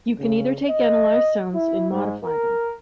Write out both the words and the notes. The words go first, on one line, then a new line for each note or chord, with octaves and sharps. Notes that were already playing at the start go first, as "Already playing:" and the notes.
You can either take Analyzed sounds and modify them.
C#3
D#5
E4
G#2
A#4